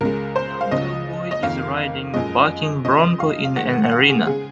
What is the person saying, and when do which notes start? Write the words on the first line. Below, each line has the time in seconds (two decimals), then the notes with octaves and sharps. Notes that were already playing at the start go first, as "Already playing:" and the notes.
A young cowboy is riding bucking bronco in an arena.
0.01 C#2 C#3 G#3 A#4
0.36 C5
0.61 F5
0.71 C#2 C#3 F3 D#5
1.31 D#5
1.43 F2 D#3 A#3 F5
2.14 F#2 F3 G#3 D#5
2.85 F2 C#3 F3 D#5
3.20 F5
3.45 F5
3.56 G#2 D#3 G#3 F#5
3.73 F#5
3.84 F#5
3.91 F5
4.10 G#4
4.26 C#3 G#3 G#4